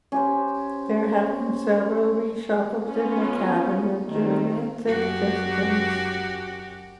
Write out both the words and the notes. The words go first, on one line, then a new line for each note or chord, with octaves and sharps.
There have been several reshuffles in the cabinet during its existence.
C#4 G4 C5
B3 C#4 F4
D#3 A3 C4
F#2 F#4 G4